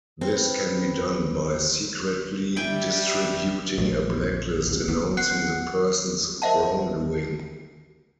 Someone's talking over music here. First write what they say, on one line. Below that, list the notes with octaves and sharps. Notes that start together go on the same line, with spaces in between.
This can be done by secretly distributing a blacklist announcing the person's wrongdoing.
C4 B4
G3 E5 G5 G#5
A#1 A3
D#2 C#3
B3 E4
F#5 C7
A#4 C5 D#5 E5 F#5 A5